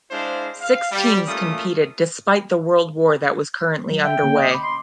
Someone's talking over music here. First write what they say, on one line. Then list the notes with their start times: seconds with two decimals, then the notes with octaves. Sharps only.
Six teams competed despite the World War that was currently under way.
0.11 G#3 D4 E4 C5 F5
0.61 F5
0.91 G3
1.27 A3 A#3 C#4 F4 D#6
3.91 F#3
4.04 E5 G5
4.23 D3 A#3 C#4
4.36 D#5 D#6
4.51 B5 D6
4.63 C6